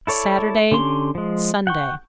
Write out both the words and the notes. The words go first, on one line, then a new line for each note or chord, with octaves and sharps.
Saturday, Sunday.
E4 A4 C#5 D5
D3 C#4 G4 C6
F3 G#3
F#5 G5 C#6